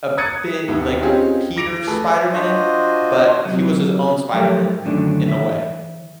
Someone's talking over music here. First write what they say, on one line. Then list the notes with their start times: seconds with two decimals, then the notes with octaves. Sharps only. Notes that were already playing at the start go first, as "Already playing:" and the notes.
a bit like Peter's Spider-Man, but he was his own Spider-Man in a way.
0.18 D#6 F#6 G#6 A6 C#7 D#7
0.68 D#2 B3 E4
1.01 C4 C#4 D#4 F4 G4 G#4
1.56 D6 A#6 D7 F7
1.87 A3 G#4 A4 B4
2.32 D4 F4 F#4 C5 D#5
3.45 C3 F#3
4.34 F3 F#3 A3 G4 A#4 C5
4.84 F#2 A2 D3 D#3 F#3 D4
5.28 E3 E5